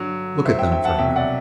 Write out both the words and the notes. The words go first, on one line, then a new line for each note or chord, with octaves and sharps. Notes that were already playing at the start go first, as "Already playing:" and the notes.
Look at them for a moment.
Already playing: G2 D3 F#3
C5 E5
E5 G5
E5 G5
F#5 A5
C2 B2 F#3 E5 G5
D5 F#5